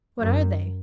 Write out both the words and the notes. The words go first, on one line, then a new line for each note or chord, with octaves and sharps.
"What are they?"
F#2